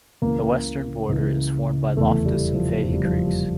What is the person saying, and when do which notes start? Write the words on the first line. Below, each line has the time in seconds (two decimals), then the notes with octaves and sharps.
The western border is formed by Loftus and Fahy Creeks.
0.22 C#2 C#3 E3 A#3
1.09 C#2 C#3 E3
1.96 F1 E2 E3 A3
2.26 G3
2.54 F3
2.83 F1 E2 E3 F3
2.94 G3
3.05 F3
3.26 G3